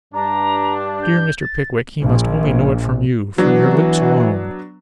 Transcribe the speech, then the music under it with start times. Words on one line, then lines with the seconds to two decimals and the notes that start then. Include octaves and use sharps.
'Dear Mr. Pickwick, he must only know it from you--from your lips alone.
0.13 G2 D4 A#5
1.02 G6
1.40 A6
2.00 A#1
3.38 E3 F#3 B3 D4 F#4